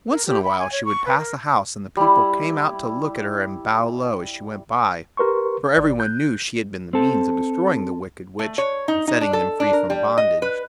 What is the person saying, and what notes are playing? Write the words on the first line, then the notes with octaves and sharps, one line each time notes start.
Once in a while she would pass a house, and the people came out to look at her and bow low as she went by; for everyone knew she had been the means of destroying the Wicked Witch and setting them free from bondage.
A#4
G4
B5
G#5
C#5
C#6
B4
A#4
G3 E4
G4 A#4 B4 C6 C#6
G#1 D5
F#6 G6
C4 A4
A3
C#5
D#4
D#4
D4
A4
D4
A#4
G3
D#5
B4